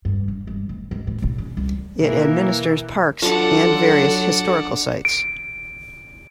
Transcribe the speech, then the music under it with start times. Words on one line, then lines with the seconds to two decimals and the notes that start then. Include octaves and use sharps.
It administers parks and various historical sites.
0.05 G2
0.28 E1
0.47 G2
0.69 D1
0.91 G#2
1.07 A2
1.22 B1
1.38 C#4
1.57 C2
2.01 B2 E3 A#3 A#4
3.22 F#3 D4 F4 A4 F#5 A5
5.05 D7